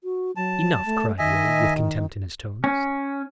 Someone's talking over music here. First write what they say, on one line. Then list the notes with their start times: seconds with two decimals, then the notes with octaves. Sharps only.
"Enough," cried Will, with contempt in his tones.
0.04 F#4
0.36 F#3 A5
0.85 A3
1.19 D#3 D#5 E5 G#5
2.64 C#4